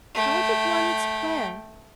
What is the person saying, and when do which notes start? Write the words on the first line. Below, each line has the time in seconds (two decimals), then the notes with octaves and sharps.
How did one square?
0.15 A3 G5